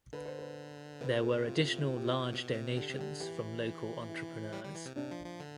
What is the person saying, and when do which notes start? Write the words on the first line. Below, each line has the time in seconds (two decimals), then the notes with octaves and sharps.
There were additional large donations from local entrepreneurs.
0.13 D3 B4
0.26 C5
0.39 B4
1.01 C3 B4
1.22 A4
1.45 F4
1.56 A4
1.67 F4
1.78 E4
1.89 F4
1.97 G4
2.06 F4
2.33 B2
2.54 C3
2.76 D3 G4
2.88 C3
2.99 D3 G4
3.20 E3 G4
4.09 E4
4.53 G3
4.64 G3
4.74 E3
4.86 C3
4.96 C3 D4
5.11 F3
5.26 F3
5.40 D3